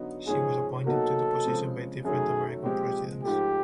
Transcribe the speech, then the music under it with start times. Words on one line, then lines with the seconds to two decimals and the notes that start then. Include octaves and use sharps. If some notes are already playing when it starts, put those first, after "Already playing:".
She was appointed to the position by different American presidents.
Already playing: D3 F#3 B3 D#4
0.27 G#2 F3 G#3 C#4 G#4
0.86 B2 F#3 A#3 D#4 F#4 A4
1.45 C#3 F3 G#3 C4
2.05 F#2 D#3 F#3 A3 G#4
2.64 A#2 F3 G#3 C4 G4
3.23 G#2 F3 A3 G4